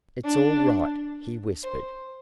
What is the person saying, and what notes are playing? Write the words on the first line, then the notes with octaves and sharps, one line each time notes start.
"It's all right," he whispered.
D4
C5